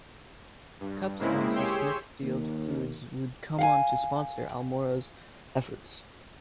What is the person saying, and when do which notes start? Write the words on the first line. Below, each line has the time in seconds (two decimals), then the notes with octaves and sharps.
Cup sponsor Smithfield Foods would come on to sponsor Almirola's efforts.
0.80 G2
1.18 G#2 C#3 G#3 A#3 C4 E4
1.54 G4 G#4 C#5 G5 C6 E6
2.21 D#2
3.59 F5 F#5 G#5